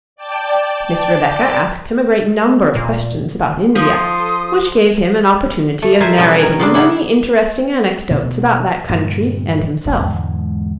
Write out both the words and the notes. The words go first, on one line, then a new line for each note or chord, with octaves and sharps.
Miss Rebecca asked him a great number of questions about India, which gave him an opportunity of narrating many interesting anecdotes about that country and himself.
D5 G5 A5 D6
A#2
F3 F4 A4 C6 D#6
A3
A#4 C5 E5 G#5 A5
B2 G3 C#4 G5
A#4 G#5
C#3 C4 D4
C#3 F#3 E4 G4
B2 A3
G2 A#2 D3
E1 B1 E2 A#2
E2 G#2 D3 G#3